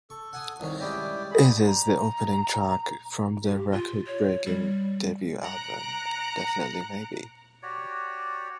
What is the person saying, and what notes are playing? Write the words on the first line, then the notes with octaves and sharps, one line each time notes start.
It is the opening track from their record breaking debut album, "Definitely Maybe".
A4 C#6
F#5 G#5 D#6
C2 D#3 C#5
G3 G#3 C#4 E4 D5 G5
G#4 B5
A#5
G4
F4
C#5
G3
A#5 F#6 C#7 D7
F#4 G4 C#5 D5